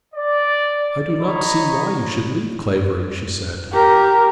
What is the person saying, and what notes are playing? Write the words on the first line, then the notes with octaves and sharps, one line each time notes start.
"I do not see why you should leave Clavering," she said.
D5
C#5 D#5 A#5 B5
G4 A#4